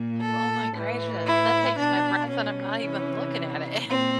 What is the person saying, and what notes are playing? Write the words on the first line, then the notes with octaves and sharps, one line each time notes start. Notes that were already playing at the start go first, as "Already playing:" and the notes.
Oh my gracious, that takes my breath, and I'm not even looking at it.
Already playing: A#2
A4
A2 E3
E4
B2 D4
C#4
C3 E3
A#2 C4